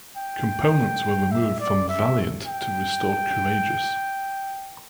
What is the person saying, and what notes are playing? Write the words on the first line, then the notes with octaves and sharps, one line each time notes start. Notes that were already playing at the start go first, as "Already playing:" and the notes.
Components were removed from "Valiant" to restore "Courageous".
G5
E5
D5
E5
G5